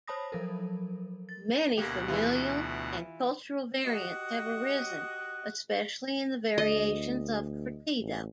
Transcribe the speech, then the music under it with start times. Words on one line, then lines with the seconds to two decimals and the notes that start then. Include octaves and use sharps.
Many familial and cultural variants have arisen, especially in the variations of "curtido".
0.08 C5 C#5 A5 B5 D#6 A#6
0.32 F3 F#3 A4 A#4
1.29 A6
1.77 D2 B2 A#3 G4 F#5
2.08 E3 E4 F4
3.85 F#4 G4 D#5 F#6
6.58 D2 D#5
8.00 A1